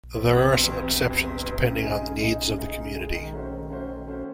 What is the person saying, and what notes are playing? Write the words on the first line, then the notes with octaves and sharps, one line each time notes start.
There are some exceptions, depending on the needs of the community.
E1
E2 C3
E1
E2 C3
E1
E2 C3
E1
E2 C3
C#3
G#3 D#4 G#4
C#3
G#3 D#4 G#4
C#3
G#3 D#4 G#4
C#3
G#3 D#4 G#4
D#3
A3 C#4 F#4 C5
D#3
A3 C#4 F#4 C5
D#3
A3 C#4 F#4 C5